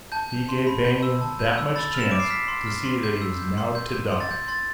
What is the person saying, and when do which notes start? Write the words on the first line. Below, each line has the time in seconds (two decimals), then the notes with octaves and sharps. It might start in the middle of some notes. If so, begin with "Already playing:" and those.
He gave Banion that much chance to see that he was now to die.
0.12 A5 G6
0.30 G6
0.49 C6
0.67 B5
0.85 G6
1.03 E6
1.21 A5
1.40 G6
1.58 E6
1.76 B5 A6
1.91 F6 F7
2.01 E7
2.11 D6 D7
2.20 C7
2.30 F6 B6
2.48 C6
2.67 F6
2.85 C6
3.03 G6
3.22 E6
3.39 G6
3.58 C6
3.75 G6
3.93 G6
4.12 C6
4.20 A6
4.31 G6
4.48 C6 A6